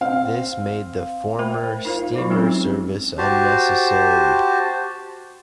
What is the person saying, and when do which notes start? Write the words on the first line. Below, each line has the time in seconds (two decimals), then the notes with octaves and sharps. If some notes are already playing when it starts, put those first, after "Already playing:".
This made the former steamer service unnecessary.
0.01 C4 F5
1.39 A3 A#4 C5 G5 B5
1.85 D#4 F4 A#4 C5 F5
2.15 F#3 E4 F4 D5 D6
2.30 F#3 G#3 C4 C#4 D#4 G#4
3.18 F#4 G4 C5 A5